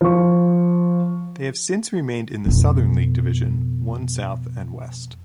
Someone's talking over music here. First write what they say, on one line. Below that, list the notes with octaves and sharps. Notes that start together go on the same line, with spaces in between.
They have since remained in the Southern League Division One South and West.
F3 C#6
F2 B2